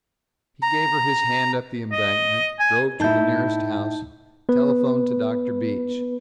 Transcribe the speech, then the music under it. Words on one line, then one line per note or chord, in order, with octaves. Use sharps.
He gave her his hand up the embankment, drove to the nearest house, telephoned to Dr. Beach.
A#5
D#5
G#5
A2 D#4 E4 A5 G6
B3 B4